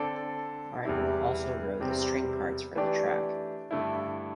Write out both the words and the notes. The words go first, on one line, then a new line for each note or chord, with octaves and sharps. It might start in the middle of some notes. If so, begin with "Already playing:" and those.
Martin also wrote the string parts for the track.
Already playing: D3 C4 A4 D5
E2 C3 G3 E4
E2 C3 G3 C4
E3 A3 D4 G4 D5
G2 D3 A3 E4